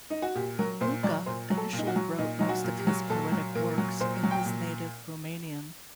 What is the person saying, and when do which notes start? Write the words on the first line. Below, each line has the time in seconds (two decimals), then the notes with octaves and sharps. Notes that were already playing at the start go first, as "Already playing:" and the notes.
Luca initially wrote most of his poetic works in his native Romanian.
0.10 D#4
0.22 F#4
0.35 A#2 G4
0.59 F#3 A#4
0.81 A#2 C5
1.03 F#3 D5
1.26 A#2 C5
1.50 F#3
1.57 A4
1.73 A#2
1.78 D#4
1.87 F#4
1.96 F#3
2.18 A#2 D#4
2.39 F#3 D#4
2.49 F#4
2.64 A#2
2.79 G4
2.87 F#3
3.10 A#2 A4
3.32 F#3
3.55 A#2 A#4
3.78 F#3
4.00 A#2 C5
4.23 F#3
4.31 G5
4.46 A#2